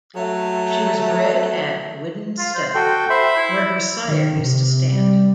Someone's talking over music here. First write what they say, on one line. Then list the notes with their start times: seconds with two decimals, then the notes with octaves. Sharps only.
She was bred at Widden Stud, where her sire used to stand.
0.16 F#3 A3
2.39 F4
2.55 C5
2.75 F#4 A4 G5
3.10 C5 E5 B5
3.36 E4
4.09 D#3
4.41 C3
4.93 G3